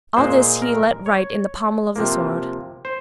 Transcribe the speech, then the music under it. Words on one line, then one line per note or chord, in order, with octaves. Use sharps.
All this he let write in the pommel of the sword.
A#2 G#3 C5
A#4
C#5
C3 F3 A#3
C5